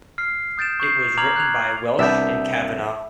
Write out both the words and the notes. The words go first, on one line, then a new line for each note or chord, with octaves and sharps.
It was written by Welsh and Cavanagh.
F6 C7
D#6 G6 A6 D7 E7
C#6 G6 C7
A#5 D6 F6 G#6 F7 F#7
F#6 G#6 F7
C2 B3 D4 E5 G6